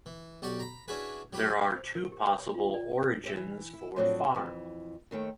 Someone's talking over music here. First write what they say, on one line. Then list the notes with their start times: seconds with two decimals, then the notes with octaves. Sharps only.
There are two possible origins for "farm".
0.06 E3
0.42 B1 F#4 G4 D5 F#5
0.60 A#5 B5
0.88 C#4 D4 E4 F#4 G#4 B4
1.33 F#3 G4 B4
1.76 C5
1.95 A#4
2.12 G4
2.25 B4
2.38 C#5
2.54 F4
2.74 D5
3.24 G4 C5 E5
3.37 E3
3.73 E4
3.96 A2 F3 F#3 C4 D4
4.35 F2 E3
5.11 D#2 D#3 A3 G5